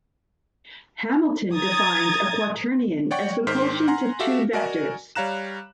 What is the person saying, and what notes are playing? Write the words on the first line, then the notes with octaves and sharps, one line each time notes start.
Hamilton defined a quaternion as the quotient of two vectors.
A#5 D#6 G#6 A6
C#5 D5 F#5 G5 C#6
G#2 D#3 C5 F6 B6
F#5 G#5 A#5 C6
F#4 G4 A4 E5 F5
F#4 A#4 D5 D#5 G#5
G3 C#5 F5 A#5 F#6 E7